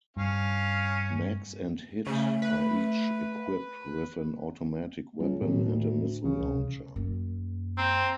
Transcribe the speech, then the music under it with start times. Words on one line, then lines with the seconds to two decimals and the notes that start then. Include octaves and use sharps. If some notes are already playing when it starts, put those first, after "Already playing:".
Max and Hit are each equipped with an automatic weapon and a missile launcher.
0.17 G2 C#4 F5
2.07 C#3 A3
2.42 B4
5.20 C#2 F#3 G3 A#3
5.41 B1 A2 D#3
5.68 D2
6.24 D2 C#3 E3
6.41 C#2 C3
6.96 F#2 A#3
7.78 C4 A#5